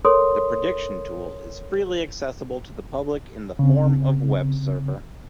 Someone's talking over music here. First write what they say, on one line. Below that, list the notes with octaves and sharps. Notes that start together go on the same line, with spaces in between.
The prediction tool is freely accessible to public in the form of web server.
A4 A#4 C#5 C6 D#6
C#3 C4